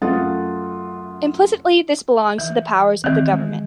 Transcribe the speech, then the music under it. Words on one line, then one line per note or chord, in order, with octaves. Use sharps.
Implicitly this belongs to the powers of the government.
F#2 A3 F4 F#5 D#6 A6
E3
D#3 E3 C4
G#3